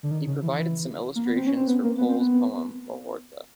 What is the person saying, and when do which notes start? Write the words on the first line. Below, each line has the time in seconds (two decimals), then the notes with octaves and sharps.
He provided some illustrations for Pol's poem 'Mohorta'.
0.03 D3
0.11 D#3
0.27 C#3
0.42 E3
0.58 E3
1.15 A#3
1.25 B3
1.36 C4
1.46 C#4
1.57 C4
1.67 B3
1.83 A#3
1.98 B3
2.09 C4
2.19 B3